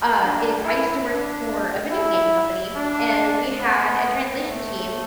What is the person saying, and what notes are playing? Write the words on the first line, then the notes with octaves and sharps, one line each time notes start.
uh, is I used to work for a video game company, and we had a translation team
D4
E4
D4
E4
D4
B3
A3